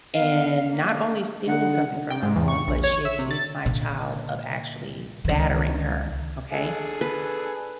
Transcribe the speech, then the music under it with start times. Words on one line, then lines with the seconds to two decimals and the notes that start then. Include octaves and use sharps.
And not only stealing something from her home, but she accused my child of actually battering her, okay?
0.14 B3 F5
0.70 A#3
1.47 D3 D#4 F#5
2.10 G5
2.23 G#2
2.36 E2
2.48 C#6
2.67 A#1
2.84 C#5
3.05 E5
3.19 C3
3.31 A6
3.65 A#2 D3
5.25 C#2 D#3
6.52 D4 G#4 A4
7.01 B4